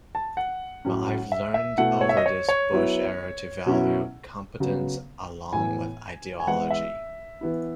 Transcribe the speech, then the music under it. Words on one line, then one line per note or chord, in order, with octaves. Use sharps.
But I've learned over this Bush era to value competence along with ideology.
A5
F#5
A2 F#3 C#4
E5
E5
B2 A3 E4 F#5
C#5
E5
D#5
C#5
C#5
F#3 B3 E4
B2 F#3 C#4 E4
C#3 F#3 B3
A2 E3 B3 G#5
G#5
E3 G#3 B3 E4 F#5
E5
E3 B3 E4